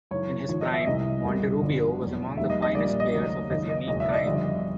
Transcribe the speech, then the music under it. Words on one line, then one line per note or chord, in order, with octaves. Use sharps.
In his prime, Monterrubio was among the finest players of his unique kind.
F#2 C#3 E3 C#5
G#1 G#2 F3 C#5
D#5
E5
C2 C3 E3 D#5
C2 B2 G3
G1 G2 D3 F3
E2 B2 F#3 A#3
F1 D#2 D#3 G3 E5
D#5
D#5
A#1 A#2 G3 A#3 D5
D#5
D#2 C#3 F#3 A3
G#1 F#2 C#3 D#5
D#5
F#1 E2 B2 G#3 D#5
E5
D5
D#5
G1 F2 D3 G3 D#5